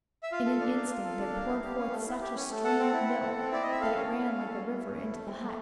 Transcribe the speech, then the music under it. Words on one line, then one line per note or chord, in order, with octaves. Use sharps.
In an instant there poured forth such a stream of milk that it ran like a river into the hut.
E5
F4 F5
A4
D4
A#3
F4
A4
D4
A#3
E4
G4
C#4
A3
E4
G4
C#4
A3
A4 F#5
C4
E4
C4
A4
C4
E4 D5
D#5
C4 E5
A4 F5
C#4
E4
C#4
A4
C#4
E4
C#4
E4
A3
C4
A3